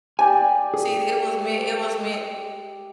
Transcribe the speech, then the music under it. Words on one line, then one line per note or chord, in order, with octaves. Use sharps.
See, it was meant it was meant
G4 D5 G#5
G#4